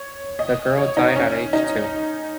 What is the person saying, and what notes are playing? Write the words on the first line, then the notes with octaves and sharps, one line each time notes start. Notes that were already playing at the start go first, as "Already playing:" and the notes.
The girl died at age two.
Already playing: C#5
D#5
C#5
D#4
C#4
D#4